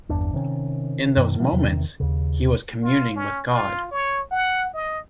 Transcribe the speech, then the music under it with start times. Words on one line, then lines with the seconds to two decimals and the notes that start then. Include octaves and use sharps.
In those moments, he was communing with God.
0.09 G1 E2 D4
0.33 C3 D#3 C#4
1.17 F#2 B2 D#3
1.39 E3 F#3 G#3 B3
1.52 E2 C3 D#3
2.00 D#2 C#3
2.82 F4
3.16 C#4
3.51 F4
3.91 C#5
4.31 F#5
4.74 D#5